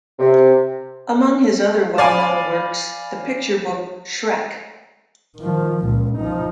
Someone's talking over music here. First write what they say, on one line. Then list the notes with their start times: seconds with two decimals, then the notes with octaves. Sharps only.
Among his other well-known works, the picture book Shrek!
0.19 C3
1.98 D5 F5 G#5 B5 D6
5.37 D#3 F3
5.84 C#2 A#2
6.18 F3 D#4